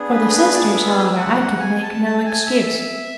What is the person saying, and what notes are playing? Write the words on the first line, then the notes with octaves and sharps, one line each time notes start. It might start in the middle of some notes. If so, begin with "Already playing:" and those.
For the sisters, however, I could make no excuse.
Already playing: B3 D4 G#4
B4
B4
D5
E5
F#5
G#5
A5
A5
G#5
E5